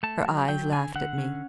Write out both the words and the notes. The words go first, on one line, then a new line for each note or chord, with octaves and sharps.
Her eyes laughed at me.
A3 A5
F#3
F#3 G5
D3 G#5
D3 F#5
C#4